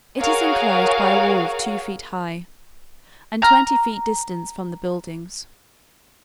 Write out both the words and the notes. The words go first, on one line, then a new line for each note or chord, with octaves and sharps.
It is enclosed by a wall of two feet high, and twenty feet distance from the buildings.
F#4 G#4 A#4 C#5 F5 F#5
A#5 F6